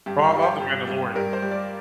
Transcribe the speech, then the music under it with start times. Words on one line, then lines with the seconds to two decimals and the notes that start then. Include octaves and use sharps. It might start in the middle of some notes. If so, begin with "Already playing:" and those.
Bro, I love The Mandalorian.
0.06 G2 G4
0.24 F4
0.33 G3
0.42 G4
0.60 G2
0.88 G2
1.15 G3 A#4
1.33 C5
1.42 G3
1.51 D5